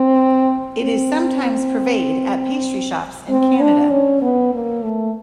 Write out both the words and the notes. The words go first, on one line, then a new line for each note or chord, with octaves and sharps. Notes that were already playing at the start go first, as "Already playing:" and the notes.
It is sometimes purveyed at pastry shops in Canada.
Already playing: C4
C4
C4
D4
C#4
B3
A#3
A3